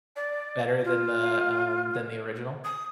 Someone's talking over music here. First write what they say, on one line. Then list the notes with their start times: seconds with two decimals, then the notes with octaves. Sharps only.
Better than the, um, than the original?
0.16 D5
0.85 F4
2.64 D#6